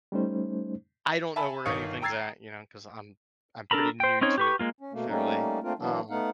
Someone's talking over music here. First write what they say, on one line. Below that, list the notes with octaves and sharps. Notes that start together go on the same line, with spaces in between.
I don't know where anything's at, you know, 'cause I'm I'm pretty new to it fairly, um,
G3 A3 C#4 D#4 C5
E5 G#5 A5 B5
G1 D#3 C#5 F5 D#6 C#7
G5 A#5 E6 G#6 A6 C7
D4 A4 A#4 A#5 B5
C5 G5
C4 C#4 D#4 C#5
G4 B4 C#6
G#3 A#3 F4
C#4
B2 A3 A#3
G3 A3 A#3 C#4 D#4
A3 A#3 C4 D4 F4 A#4
E3 F#3 A#3 D4
A3 B3 D#4 F5 F#5